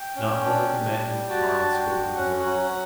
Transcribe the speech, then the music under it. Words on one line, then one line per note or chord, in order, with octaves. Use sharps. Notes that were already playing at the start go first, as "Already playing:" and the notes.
Not one of the men in the car had spoken a word.
Already playing: G5
C#4
D4
G3
G3
F#4 A5
D4
G5
F#4
C#4 F#5
F#3